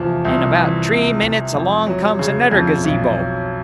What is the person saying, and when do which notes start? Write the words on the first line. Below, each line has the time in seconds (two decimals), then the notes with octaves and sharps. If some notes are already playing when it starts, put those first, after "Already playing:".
In about t'ree minutes along comes another gazebo.
Already playing: F1 E2 C3 F3
0.25 C2
0.57 E3
0.90 C3
1.22 C2
1.54 F2
1.87 F#3
2.19 C#3
2.51 F2
2.84 B1
3.17 F#3